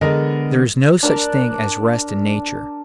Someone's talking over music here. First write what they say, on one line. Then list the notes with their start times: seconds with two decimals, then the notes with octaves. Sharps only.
There is no such thing as rest in nature.
0.01 D3 G#3 B3 A#4 D#5
1.03 D4 A#4 D5 A5